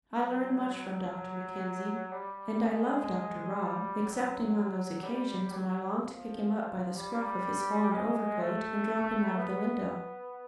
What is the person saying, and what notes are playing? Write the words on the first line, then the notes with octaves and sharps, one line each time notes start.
I learn much from Dr. Mackenzie, and I love Dr. Rob, excepting on those occasions when I long to pick him up by the scruff of his fawn overcoat and drop him out of the window.
F#3
G3
G#3
G3
F#3
G3
F#3
F3
G3
G#3
A3
B3